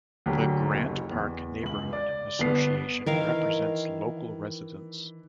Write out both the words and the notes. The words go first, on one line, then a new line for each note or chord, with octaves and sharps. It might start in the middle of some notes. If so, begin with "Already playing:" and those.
The Grant Park Neighborhood Association represents local residents.
D2 F#3 G4 A#4
F#1
E2
C#2 F#7
D5
G1 B3 C7
D#3 E3 A#4 F5